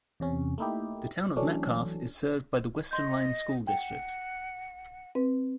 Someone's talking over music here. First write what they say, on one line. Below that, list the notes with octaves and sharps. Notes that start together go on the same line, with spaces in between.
The Town of Metcalfe is served by the Western Line School District.
E2 C3 C#4
A3 A#3 D#4 E4 G4
E3 F#3 A3 C#4 D4
D#5 C6 G6
F#5 G5
C4 B4